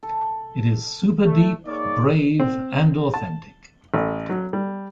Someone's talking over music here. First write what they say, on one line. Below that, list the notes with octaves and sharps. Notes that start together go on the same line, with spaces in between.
It's super-deep, brave, and authentic.
A4
A3
A#3 D#4 G#4 C#5 D5
C4
A5
A1
F#3
G3